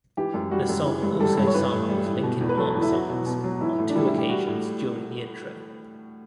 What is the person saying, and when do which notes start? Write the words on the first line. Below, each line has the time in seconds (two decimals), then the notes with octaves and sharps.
The song also samples Linkin Park songs on two occasions during the intro.
0.17 E3 G4
0.34 F#2
0.51 G3 F#4
0.69 F#2
0.86 E3
1.03 G2
1.20 G3 A4
1.37 G2
1.47 C#5
1.54 E3 B4
1.72 A2
1.89 G3
2.06 A2
2.23 B2
2.41 E2
2.49 B4
2.57 F#3 A4
2.75 E2
2.82 E4
2.92 F#3 F#4
3.09 B2
3.26 B2
3.44 F#3
3.61 E3 E4
3.78 A2
3.90 D4
3.95 G3 E4
4.07 E4
4.12 A2
4.18 G4
4.29 G3 F#4
4.47 A2